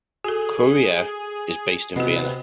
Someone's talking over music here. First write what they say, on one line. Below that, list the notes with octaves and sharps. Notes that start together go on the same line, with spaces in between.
"Kurier" is based in Vienna.
F#4 G#4 A4
C3 B3 F#4 D#5